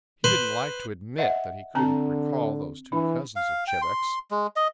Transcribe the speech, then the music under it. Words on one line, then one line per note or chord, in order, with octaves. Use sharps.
He didn't like to admit that he couldn't recall those two cousins of Chebec's.
B4 C5 C6
D#5 E5 F#5
D3 C4 A5 A#5
E3 D4
F5
G5
C6
G#3
D#5